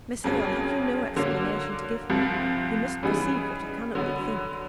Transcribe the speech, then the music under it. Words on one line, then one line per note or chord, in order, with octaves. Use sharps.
Miss Hale, have you no explanation to give me? You must perceive what I cannot but think.'
F2 C#3 F#3 A#3 C#4
D3 F#3 A#3
C2 C3 F3
C#3 E3 G3 B3 D#4
D3 F#3 B3